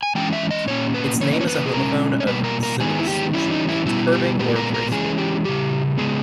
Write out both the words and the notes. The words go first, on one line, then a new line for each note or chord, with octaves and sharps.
Its name is a homophone of sinuous, which means curving, or graceful.
G#5
E3 G#3 C#4 G5
E5
D#5
A#2 A#3 C#4 C#5
B4
E3 A#3 C#4 C#5
D#5
C#5
B4
G#4
B2 G#3 C#4 A#4
C#5
B2 G3 A#3 B4
A#4
A#4
D#3 G#3 B3 G#4
E4
G4
E3 G3 C#4 E4
D#4
E4
B2 G3 B3 E4
G4
A#2 G#3 B3 G4
A#4
A#4
E3 G#3 C#4 G#4
G4
C#3 E3 G3 G4
C#3 G#3 B3 G#4